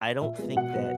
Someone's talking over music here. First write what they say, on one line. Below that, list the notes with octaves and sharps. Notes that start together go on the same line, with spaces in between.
I don't think that
A#2 E5
G#3 B3
B2 F#5
F#3 B3